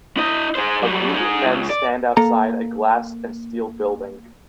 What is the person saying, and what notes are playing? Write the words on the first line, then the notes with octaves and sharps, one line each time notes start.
A group of men stand outside a glass and steel building.
E4 D#5
G#4 C5
F#3 G3
D#4 G#4
C#2
D5
A#3 A4 A#5